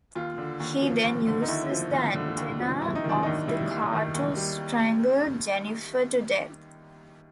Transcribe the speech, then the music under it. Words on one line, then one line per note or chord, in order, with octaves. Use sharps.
He then uses the antenna of the car to strangle Jennifer to death.
D#2 F4
D3
D#2
F3
D#2
D3
D#4
D#2 E4
F3
D#2
D3
D#2
F3
D#2 E4
D#4
D#3 D4
D#2 D#4
G3 E4
D#2
D#3
D#2
G3